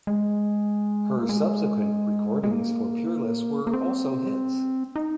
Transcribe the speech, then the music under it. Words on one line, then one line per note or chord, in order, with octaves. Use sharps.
Her subsequent recordings for Peerless were also hits.
G#3
A#3
G#3
G#3
A#3
A#3
C4
D#4